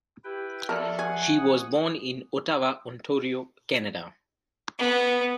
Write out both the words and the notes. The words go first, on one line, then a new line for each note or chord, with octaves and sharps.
She was born in Ottawa, Ontario, Canada.
E4 G4 B4 G5
F3 A4 A#4 D5 E5 A5
G#4 F#5 G#5 C#6
D#6
B3